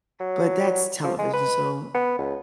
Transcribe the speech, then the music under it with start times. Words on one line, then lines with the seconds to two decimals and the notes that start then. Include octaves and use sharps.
But that's television, so
0.20 F#3
1.04 F3
1.19 G#3
1.33 B4
1.94 B3
2.19 C#2